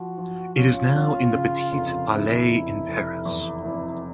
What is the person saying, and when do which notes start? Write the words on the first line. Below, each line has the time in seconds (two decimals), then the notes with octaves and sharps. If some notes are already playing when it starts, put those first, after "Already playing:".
It is now in the Petit Palais in Paris.
Already playing: F3 F#4
0.18 F3
0.56 C#4 F4
0.95 C#4
1.33 C#3
1.72 F1
2.10 C#3 E4
2.48 F1
2.87 F1
3.25 E2
3.64 F1 E4